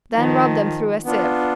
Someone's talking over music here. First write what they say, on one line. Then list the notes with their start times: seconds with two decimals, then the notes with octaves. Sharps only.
Then rub them through a sieve.
0.15 D#3 F3
1.05 B3 D4 F4